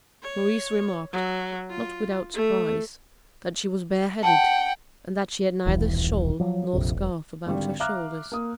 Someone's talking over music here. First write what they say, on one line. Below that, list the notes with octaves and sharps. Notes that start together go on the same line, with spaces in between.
Maurice remarked, not without surprise, that she was bare-headed, and that she had neither shawl nor scarf about her shoulders.
C#5
F#3
F4
A3
F#5 G5 A5
D#1 B1 E3
F3 F#3
A#1 F2 C3
E1
G#1 D3 G3
E5 F5 A#5 D6 F6 F#6
A#3 D#6